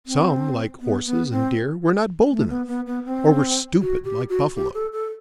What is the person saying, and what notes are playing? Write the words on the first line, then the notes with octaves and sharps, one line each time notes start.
Some, like horses and deer, were not bold enough; or were stupid, like buffaloes.
C4
B3
B3
C4
A3
B3
B3
B3
C4
F#4
G4
F#4
G4
A4
A4